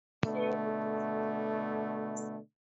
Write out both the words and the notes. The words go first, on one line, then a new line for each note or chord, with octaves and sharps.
Clearly this was not the case.
B2 D3 A3